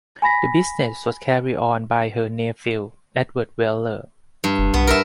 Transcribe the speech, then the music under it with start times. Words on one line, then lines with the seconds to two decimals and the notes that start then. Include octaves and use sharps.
The business was carried on by her nephew Edward Weller.
0.22 G#5 B5 A#6 B6
4.44 G2
4.58 F1
4.74 B1 B3
4.87 A#4 B4 E5